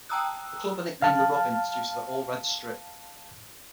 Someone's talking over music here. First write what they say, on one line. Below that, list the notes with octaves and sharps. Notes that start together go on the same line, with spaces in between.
The club are nicknamed "The Robins" due to their all-red strip.
G5 A5 A#5 D#6 E6 F#6
F5 A5 F6